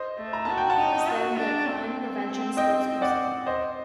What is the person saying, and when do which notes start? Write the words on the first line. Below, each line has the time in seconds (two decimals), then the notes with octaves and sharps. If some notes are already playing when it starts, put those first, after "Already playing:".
He was then their Crime Prevention spokesperson.
Already playing: C5 D#5
0.17 A3
0.33 A#5
0.45 F#4 A5
0.57 G5
0.70 F#5 A5
0.78 D#4
1.08 F#4
1.37 D4
1.67 C4
2.57 D#5 G5
3.02 D5 F#5
3.46 C5 D#5